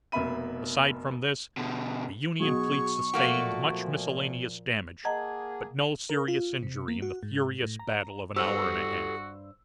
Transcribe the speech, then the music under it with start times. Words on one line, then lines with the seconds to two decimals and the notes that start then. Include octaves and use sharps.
Aside from this, the Union fleet sustained much miscellaneous damage, but no serious injury in the furious battle of an hour and a half.
0.12 F1 B2 A#3 E5 B5 D#7
1.57 B2 D3
2.40 B1 B2 F#4 G#4 C#6
3.14 A#2 F3 A3 A#3 F#4
5.05 A#3 G#4 D#5 F#5 A5 A#5 G#6
6.10 A#4
6.28 F4
6.63 C3
6.88 A#3
7.02 F#4
7.23 G#2
7.63 A2
7.80 A#5
8.36 G2 F#4 G4 A4 C5 E6